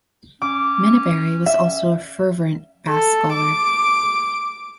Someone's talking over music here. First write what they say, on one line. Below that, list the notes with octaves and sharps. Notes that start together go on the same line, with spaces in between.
Minaberri was also an fervent Basque scholar.
C#4 D6
E5
A4
D6